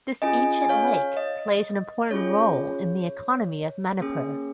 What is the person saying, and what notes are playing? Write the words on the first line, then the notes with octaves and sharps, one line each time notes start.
This ancient lake plays an important role in the economy of Manipur.
C#4 F4 G#4 D#5 G#5
G#5
C#5 F5
D#5
C#4 F4 G#4 C#5
A#3 C#4 G#4